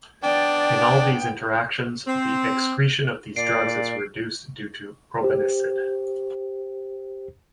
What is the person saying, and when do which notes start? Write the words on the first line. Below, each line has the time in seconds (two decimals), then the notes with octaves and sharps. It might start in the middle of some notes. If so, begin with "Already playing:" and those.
In all these interactions, the excretion of these drugs is reduced due to probenecid.
0.23 B3 D4 D5 G5
2.07 C4
3.36 A#2 D5 C7 D7
5.23 G4 C5